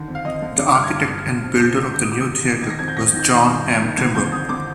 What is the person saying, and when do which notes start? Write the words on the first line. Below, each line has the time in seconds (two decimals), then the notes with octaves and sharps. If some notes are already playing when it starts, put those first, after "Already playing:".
The architect and builder of the new theatre was John M. Trimble.
Already playing: D3 D#3
0.08 F2
0.15 F5
0.24 F2 D#5
0.42 D3
0.59 D3 D6
0.67 D#6
0.75 G2 F6
0.83 G#6
0.92 G2
1.09 D3
1.26 D3
1.44 F2
1.60 F2 G6
1.77 D3
1.94 D#3 G6
2.04 D#6
2.11 G#2 D6
2.20 D#6
2.28 G#2
2.45 D#3
2.62 D#3 G#6
2.70 A#6
2.79 F2 G#6
2.88 G6
2.96 F2 A#6
3.14 D#3
3.19 G6
3.30 D#3 G6
3.48 G2
3.64 G2
3.82 D#3
3.98 D3 G#6
4.15 F2 G6
4.32 F2 D#6
4.49 D3 D6